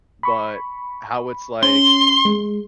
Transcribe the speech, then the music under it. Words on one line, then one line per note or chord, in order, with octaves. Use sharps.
but, how it's like
B5 C#6
C#4 C6
G#3